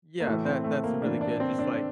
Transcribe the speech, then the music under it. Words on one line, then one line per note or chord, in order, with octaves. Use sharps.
Yeah, that that's a really good just, like,
A#3
A2 E3 A3
C4
A3
A#3
A2 E3 D4
D4
C4
D4